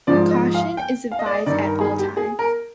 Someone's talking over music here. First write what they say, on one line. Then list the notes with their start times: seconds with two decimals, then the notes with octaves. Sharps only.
Caution is advised at all times.
0.07 G#2 F3 D5
0.31 D#5
0.54 F5
0.77 G5
1.12 F5
1.19 D#5
1.26 D5
1.34 D#5
1.46 G2 D#3 D5
1.64 A#4
1.81 G#4
1.99 G4
2.17 G#4
2.39 A#4